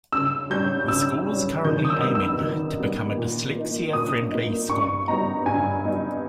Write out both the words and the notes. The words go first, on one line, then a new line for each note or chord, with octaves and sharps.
The School is currently aiming to become a Dyslexia Friendly School.
C#3 E6
G3 C#4 G6
C#3 E6
G3 C#4
D#3 G6
D#6
E6
G3 B3
E6
D#3
G3 B3
A#2
A#3 D#4
A#2 D#6
A#3 D#4
G2 C#6
G3 B3 D#4 A#5
G2 G#5
G3 B3 D#4